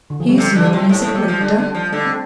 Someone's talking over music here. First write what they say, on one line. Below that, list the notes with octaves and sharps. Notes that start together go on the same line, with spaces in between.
"He is known as a collector?"
D3
F3
G3
C3 A3
D3
G3
C3
A2 A3
A2
C3 G3
F3
D3 G3
D3
F3
D3 A3
C4